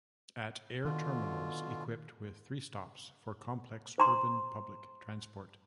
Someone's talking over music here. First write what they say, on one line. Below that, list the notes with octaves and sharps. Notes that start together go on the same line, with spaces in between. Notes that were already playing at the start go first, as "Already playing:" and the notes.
At air terminals equipped with three stops for complex urban public transport.
B2 D3 D#3 F4
C5 A#5 C6